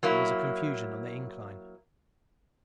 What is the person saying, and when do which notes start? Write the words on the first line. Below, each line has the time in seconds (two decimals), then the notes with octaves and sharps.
There was a confusion on the incline.
0.03 F#3 A#3 E4